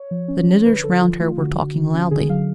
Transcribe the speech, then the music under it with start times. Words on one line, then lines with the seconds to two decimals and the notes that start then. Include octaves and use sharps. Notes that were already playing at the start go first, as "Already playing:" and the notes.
The knitters round her were talking loudly.
Already playing: C#5
0.11 F3
0.28 C#4
0.47 F3
0.66 D3 B4
0.84 D3 A4
1.01 F3 F4
1.20 A3 F4
1.38 D3 F#4
1.56 D3
1.74 D3
1.93 C#4
2.11 D3 G#4
2.30 F#3 F5